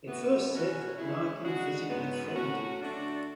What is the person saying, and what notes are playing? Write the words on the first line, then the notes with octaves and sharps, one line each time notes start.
They first said that Martin physically threatened him.
A2 E3 B3 F#4
B2 F#3 C#4 F#4
C#3 G#3 C#4 E4
C#3 G#3 D4 F#4
G#2 F#3 B3
A2 F#3 C#4 F#4
D3 A3 D4 F#4